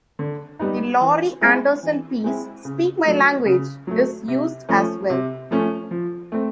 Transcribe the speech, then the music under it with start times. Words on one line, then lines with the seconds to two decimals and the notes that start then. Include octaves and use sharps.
The Laurie Anderson piece "Speak My Language" is used as well.
0.19 D3
0.59 G3 B3 D#4
1.01 E3
1.41 G#3 C4 E4
1.83 E3
2.24 G#3 C4 E4
2.65 C#3
3.05 F#3 A3
3.46 C#3
3.87 F#3 A3
4.28 C3
4.69 F3 A3 C#4
5.10 C3
5.51 F3 A3 C#4
5.91 F3
6.32 A3 C4